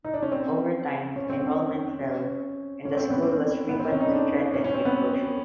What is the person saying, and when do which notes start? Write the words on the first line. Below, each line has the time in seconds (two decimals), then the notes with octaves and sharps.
Over time enrollment fell, and the school was frequently threatened with closure.
0.05 D#4
0.14 D4
0.23 C#4
0.32 C4
1.16 C#4
1.30 C4
1.44 C#4
2.00 C#4
2.85 C#4
2.97 C4
3.10 B3
3.22 C4
3.69 B3
3.80 C4
3.91 C#4
4.00 D#4
4.12 D4
4.54 C#4
4.64 C#4
4.74 C4
4.85 B3
4.95 C4